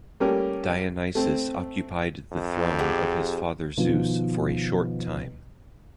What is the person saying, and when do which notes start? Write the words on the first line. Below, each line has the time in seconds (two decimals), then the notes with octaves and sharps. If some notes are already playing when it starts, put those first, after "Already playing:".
Dionysus occupied the throne of his father Zeus for a short time.
0.20 G3 A3 A#3 C#4 G4 A#4
1.15 A3 C4
2.32 F2
2.79 G4 G#4 F#5
3.77 B2 D#3 F3